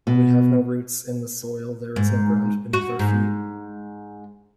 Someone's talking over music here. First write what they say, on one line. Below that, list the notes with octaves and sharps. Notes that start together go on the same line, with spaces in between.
We have no roots in the soil, there is no ground beneath our feet.
B2
G#2
F#4
G#2